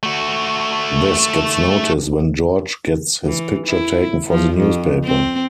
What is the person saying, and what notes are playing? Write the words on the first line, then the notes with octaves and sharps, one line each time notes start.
This gets noticed when George gets his picture taken for the newspaper.
A3 F#4
E3
E4
F3
F2
C4